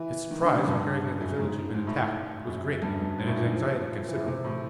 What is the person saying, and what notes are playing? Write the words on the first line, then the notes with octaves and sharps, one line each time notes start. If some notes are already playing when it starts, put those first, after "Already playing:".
His surprise on hearing that the village had been attacked was great and his anxiety considerable.
Already playing: E3
D#3
D3
C#3
G2
F#2
G#2
G#2
A2
F#2
G2
F#2
G2
G#2
A2
A#2
D3
F3
E3
C3
A2